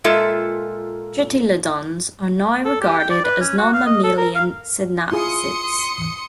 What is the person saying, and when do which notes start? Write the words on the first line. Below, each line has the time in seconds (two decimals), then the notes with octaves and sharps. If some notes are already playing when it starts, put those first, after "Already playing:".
Tritylodons are now regarded as non-mammalian synapsids.
0.04 A#2 G#3 F4 A4 E5
2.65 A4
2.81 G4
2.99 G5
3.10 D5
3.24 B4
3.41 C#4
3.58 F#4
3.74 F5
3.86 D#5
4.03 A4
4.18 A#4
4.35 F5
5.12 E4 F4 G#4 C6 D#6 C#7